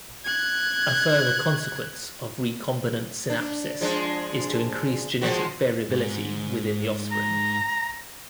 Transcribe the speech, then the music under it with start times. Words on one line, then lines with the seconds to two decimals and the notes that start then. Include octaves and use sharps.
A further consequence of recombinant synapsis is to increase genetic variability within the offspring.
0.25 F#6 G#6
3.30 D4
3.81 F3 G#3 D4
5.21 F3 G#3 F#4
5.90 G#2
7.11 A#5